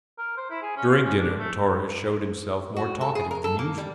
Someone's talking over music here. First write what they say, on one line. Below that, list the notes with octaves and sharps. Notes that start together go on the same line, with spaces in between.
During dinner Torres showed himself more talkative than usual.
A#4
C5
E4
G#4
C#4
F4
C#4
D4
A3
F#4
A4
G#4
A#4
A4
A#3
G3